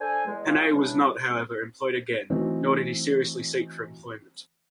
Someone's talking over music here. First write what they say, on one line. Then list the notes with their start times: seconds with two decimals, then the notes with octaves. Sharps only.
Hannay was not, however, employed again, nor did he seriously seek for employment.
0.01 D4 A4 C5 G#5
0.26 E2 G#3
0.47 F4 G#4 C#5 F5
0.73 C#3 E3 G3 D4
2.30 E3 F#3 A3 C4 D#4